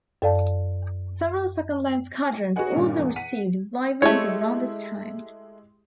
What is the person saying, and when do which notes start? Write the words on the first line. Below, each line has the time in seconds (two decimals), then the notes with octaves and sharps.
Several second-line squadrons also received Wyverns around this time.
0.22 F#2 A4 D5 F5 A5
2.56 F#4 G#4 B4 D#5 F#5 G#5
2.73 G2 A#2 D#3 G3 C#4 D4
2.99 E2
3.16 F#5 B6 D#7
4.02 G#3 A3 E4 G4 C#5